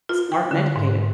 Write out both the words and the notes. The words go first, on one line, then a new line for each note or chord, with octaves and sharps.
smart and educated.
F4
G5
D3
G#2